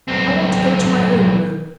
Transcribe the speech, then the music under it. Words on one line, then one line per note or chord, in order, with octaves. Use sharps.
"I want to go to my own room."
B1 C4